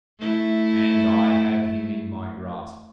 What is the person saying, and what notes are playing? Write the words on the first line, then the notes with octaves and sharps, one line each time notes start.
And I have him in my grasp!
A3 E4